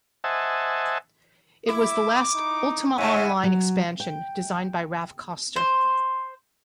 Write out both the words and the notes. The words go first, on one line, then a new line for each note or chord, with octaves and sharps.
It was the last "Ultima Online" expansion designed by Raph Koster.
C5 D#5 E5 F#5 G#5 A5
E4 E5 D6
D#4
G#2 C#3 C#5 E5 F#5 G#5
F#3
G5
C5